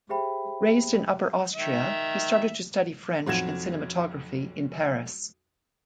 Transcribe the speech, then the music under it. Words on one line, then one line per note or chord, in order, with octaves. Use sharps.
Raised in Upper Austria he started to study French and cinematography in Paris.
G4 G#4 C5 E5 G5 B5
D#3 E5
B1 F2 F#4 G#6 E7